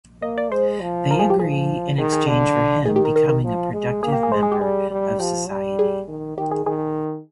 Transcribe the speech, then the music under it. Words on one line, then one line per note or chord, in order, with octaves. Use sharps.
They agree in exchange for him becoming a productive member of society.
A#3 D#5
D5
G#3 C5
F3
A#4
G#4
G4
F3 G#4
D#3 G#4
G#4
D3
D#3 G#4
G4
A#4
A#4
A#4
F3
G#3
A#3 G#4
G4
G#4
G#3 C5
G#4
G4
G3 G#4
G3
F3 G4
G3
G#4
D#3
D#3 G4
G#4
D#3 G#4